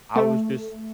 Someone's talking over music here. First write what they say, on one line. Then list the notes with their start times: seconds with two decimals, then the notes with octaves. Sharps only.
I was just
0.16 A3